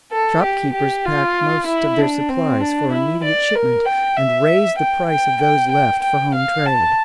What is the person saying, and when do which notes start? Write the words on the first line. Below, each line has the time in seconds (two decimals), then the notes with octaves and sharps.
Shopkeepers packed most of their supplies for immediate shipment, and raised the price of those left for home trade.
0.12 A4
0.44 G4
0.74 G4
1.05 F4
1.68 E4
1.99 D4
2.30 C4
2.61 D4
2.93 E4
3.24 D5
3.55 A#4
3.86 G5
4.17 E5
4.79 G5
5.10 G5
5.42 G5
5.72 G5
6.03 G5
6.35 F5
6.66 A5